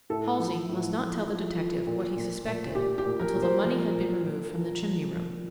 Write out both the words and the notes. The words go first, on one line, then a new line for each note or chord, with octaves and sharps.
Halsey must not tell the detective what he suspected until the money had been removed from the chimney-room.
A2 A4
F3
A2
F3
F3
F3
A#2
A#2
A#2
A#2 G4
G4
A#2
A#4
A#2
C5
F3 A#4
A#2
A#2
F3
F3
F3